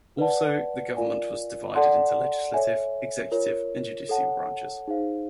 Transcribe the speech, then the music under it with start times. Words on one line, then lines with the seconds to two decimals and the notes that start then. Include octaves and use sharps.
Also, the government was divided into legislative, executive and judicial branches.
0.18 B4 D5 F#5 A5
0.97 F4 A#4 D5 F5 G#5
1.75 A4 D5 F#5 A5 C6
2.54 A4 C#5 E5 G#5
3.32 F4 A#4 C#5
4.09 A4 C#5 F#5 A5
4.88 D#4 G#4 C5 F5